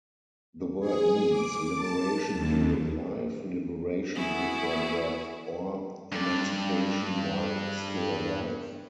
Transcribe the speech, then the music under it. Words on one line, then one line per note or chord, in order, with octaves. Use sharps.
The word means, "liberation during life, liberation before death", or "emancipation while still alive".
G#4
D6
A5
D#2
B3 E4 F#4 G#4
G2 D5